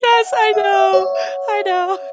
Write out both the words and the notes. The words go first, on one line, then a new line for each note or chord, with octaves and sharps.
Yes, I know, I know.
F#5
F#5
E5
E5
C#5